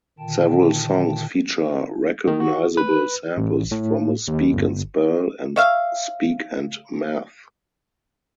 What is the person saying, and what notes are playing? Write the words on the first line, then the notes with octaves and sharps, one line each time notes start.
Several songs feature recognizable samples from a Speak and Spell and Speak and Math.
A#2 D3 D#3 G5 A5
D#3
F#4
B4
A1
A2
D#2
G1
C#5 E5 F5